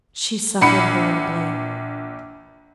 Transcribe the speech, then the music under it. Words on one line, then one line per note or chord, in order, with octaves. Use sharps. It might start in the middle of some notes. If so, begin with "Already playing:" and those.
She suffered horribly.
A#1 F#5 B5 C#7